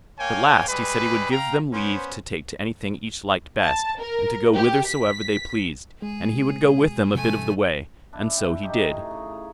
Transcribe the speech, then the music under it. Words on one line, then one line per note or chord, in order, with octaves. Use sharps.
At last he said he would give them leave to take to anything each liked best, and to go whithersoever they pleased, and he would go with them a bit of the way; and so he did.
A#3 C#5 F5 G5 G#5
G3 G#3 G#4 B4
F5 G5 A#5
B3 C#4 C5
A5
A#4
G4
B6
G#3 G#4
B2
B2 E3 A3 C4 G#5
D4 E4
G5
C3 C#4 D#4 G4
A2 G#4 A#5 C#6
C#3
A#5